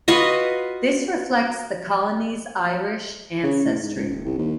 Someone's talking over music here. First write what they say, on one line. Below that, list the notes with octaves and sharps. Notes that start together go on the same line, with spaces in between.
This reflects the colony's Irish ancestry.
F4 F#4 B4 D#5
C#3
A2
G#2
C#2
D#1
C2
D#2